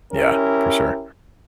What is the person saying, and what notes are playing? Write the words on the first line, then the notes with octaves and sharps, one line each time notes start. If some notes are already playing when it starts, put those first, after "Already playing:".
Yeah. For sure.
C#4 E4 G4 A#4